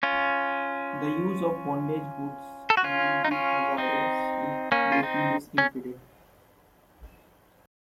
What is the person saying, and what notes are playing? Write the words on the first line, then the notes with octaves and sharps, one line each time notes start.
The use of bondage hoods can be hazardous if breathing is impeded.
C#4 F4
A4
F#4
C#4 F4
D#4
C#4 F4
C4 D#4
A#3 C#4
F4
C4 D#4
C#4